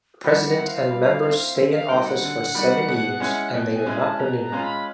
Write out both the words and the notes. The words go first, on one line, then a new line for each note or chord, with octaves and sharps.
President and members stay in office for seven years and they are not renewable.
G3 F#5
F#5
C4 E4
F5
G3
C4 E4
D3 E5
F5
G3 A#3 D#4 F#4 G5
F#5
D3
G3 A#3 D#4 F#4
B2
G#3 C#4 E4
B2 G5
G#5
G#3 C#4 E4
A5
B2 A#5
A#5
G#3 C#4 F4
B5